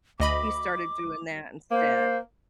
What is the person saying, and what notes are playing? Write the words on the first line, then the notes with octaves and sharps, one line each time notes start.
he started doing that instead.
D2 D#5 B5 D6
A#3 C5